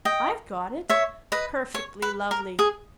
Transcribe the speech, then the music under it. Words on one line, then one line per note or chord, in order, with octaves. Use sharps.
'I've got it! perfectly lovely!
D#5 G5
C#5 E5
B4 D#5
C#5
B4
A#4
G#4